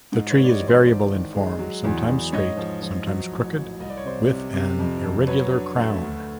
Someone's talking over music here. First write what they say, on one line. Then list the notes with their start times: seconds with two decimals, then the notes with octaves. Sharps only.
The tree is variable in form, sometimes straight, sometimes crooked, with an irregular crown.
0.12 G#2
0.30 B4 C#5
0.37 G3
0.44 D5
0.48 C#5 D#5
0.62 E3
0.68 C5 D5
0.86 G#1 C5 D5
1.10 D#3
1.35 G#3
1.59 F#3
1.85 E2
2.08 E2
2.32 G#2 C#5 D#5
2.57 F3
2.82 F3
3.07 F#3
3.32 A1
3.56 F#3
3.80 C2 D#5
3.90 D5
3.97 C#5
4.04 C3 C5 D5
4.30 C3
4.54 C3
4.79 F2
5.03 F2
5.27 F#3 B4 C#5
5.53 D4
5.76 A3
6.01 D2